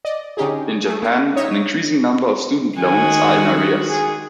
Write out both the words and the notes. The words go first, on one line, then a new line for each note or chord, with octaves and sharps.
In Japan, an increasing number of student loans are in arrears.
D5 D#5
D3 C#4 D#4 G4 G#4
A3 G#4
A#3
D#4 C#5 D#5 E5
D#3 G#3 F#4 G#5
G#4